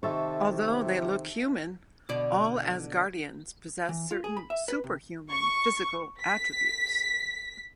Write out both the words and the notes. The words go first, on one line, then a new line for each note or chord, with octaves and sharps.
Although they look human, all Asgardians possess certain superhuman physical attributes.
C3 D#3 A4 E5 A5 C#6
B2 D3 D5
E3
F4
G#4
B5
E5
B4
C3
C#6
B6